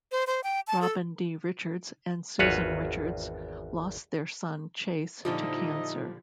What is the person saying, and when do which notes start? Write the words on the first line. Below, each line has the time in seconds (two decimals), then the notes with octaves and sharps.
Robin D. Richards and Susan Richards lost their son Chase to cancer.
0.12 C5
0.27 C5
0.44 G5
0.67 A5
0.82 A4
2.39 G#1 E2 F4 F#4 B4 C#5
5.25 A#2 D3 F3 G3 D#4 E4 D#5